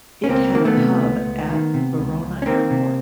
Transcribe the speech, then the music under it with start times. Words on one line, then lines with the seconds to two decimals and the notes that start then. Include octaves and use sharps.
It had a hub at Verona Airport.
0.24 C#4
0.29 C#2 A#3 C4
0.54 D#3 A#3
0.65 A3 B3
0.77 C3
1.02 C#2
1.26 C#2
1.50 D#3
1.74 C3
1.98 C#2
2.23 C#2
2.42 C#4
2.46 D#3 A#3 C4
2.71 C3